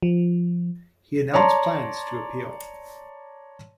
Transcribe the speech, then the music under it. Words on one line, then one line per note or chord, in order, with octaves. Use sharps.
He announced plans to appeal.
F3
C#5 D5 A5 A#5 C6